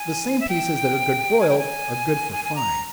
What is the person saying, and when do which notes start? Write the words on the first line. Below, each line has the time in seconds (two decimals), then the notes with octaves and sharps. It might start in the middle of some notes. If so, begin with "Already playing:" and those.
The same pieces that are good broiled are good for frying.
Already playing: G#5
0.40 E5
0.49 G5
1.40 G#5
1.50 G5
1.59 G#5
2.32 G#5
2.45 G#5
2.56 A#5